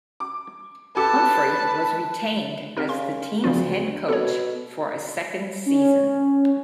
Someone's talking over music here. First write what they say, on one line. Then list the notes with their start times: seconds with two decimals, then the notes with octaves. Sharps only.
Humphrey was retained as the team's head coach for a second season.
0.20 D6
0.97 G4 A4 B4 A5 D6
2.77 C3 D#4 A#4
2.89 C#3 C6
3.44 D2 C#3 F3 F4
4.08 B2 A4 C#5
5.66 C#4